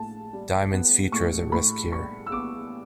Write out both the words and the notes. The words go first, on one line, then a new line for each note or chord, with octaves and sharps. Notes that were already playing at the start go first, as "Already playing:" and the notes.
Diamond's future is at risk here.
Already playing: A2 A5
G3
B3
A2 C#6
A2 B5
G3 C#6
E6
B3 D6